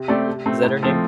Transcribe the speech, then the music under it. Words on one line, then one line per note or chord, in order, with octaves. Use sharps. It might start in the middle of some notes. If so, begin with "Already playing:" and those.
is that her name?
Already playing: C3
A3 C4 G4 D5
C3
A3 C4
A2
F3 A3 C4